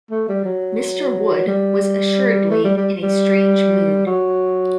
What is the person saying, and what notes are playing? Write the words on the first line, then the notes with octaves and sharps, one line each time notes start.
Mr. Wood was assuredly in a strange mood.
A3
G3
F#3
G3
A3
G3
G3
G3
F#3